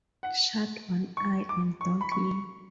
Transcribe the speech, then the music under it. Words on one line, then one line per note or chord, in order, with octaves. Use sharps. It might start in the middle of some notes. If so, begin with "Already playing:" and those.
Shut one eye, and don't leave.
F#5
C#6
D6
C#6
B5
C#6